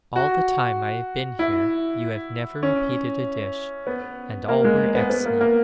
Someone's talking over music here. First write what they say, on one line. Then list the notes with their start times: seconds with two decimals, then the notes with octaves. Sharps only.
All the time I have been here you have never repeated a dish, and all were excellent.
0.16 F#4
1.39 E4
2.63 C#4
3.87 B3
4.48 A#3
4.64 G#3
4.95 B3
5.10 B3
5.26 A#3
5.41 A#3